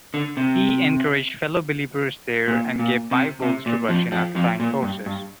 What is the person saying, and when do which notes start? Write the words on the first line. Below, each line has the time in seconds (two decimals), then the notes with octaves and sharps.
He encouraged fellow believers there and gave Bibles to Russian occupying forces.
0.14 D3
0.37 C3
2.48 A#2
2.79 A#2
3.11 C3
3.42 C3
3.66 A#2
3.89 F2 F3
4.12 F2 F3
4.35 F2 F3
4.60 A#2
4.82 G2
5.06 G2